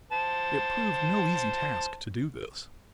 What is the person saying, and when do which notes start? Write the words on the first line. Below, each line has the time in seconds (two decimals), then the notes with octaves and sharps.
It proved no easy task to do this.
0.12 C5 A5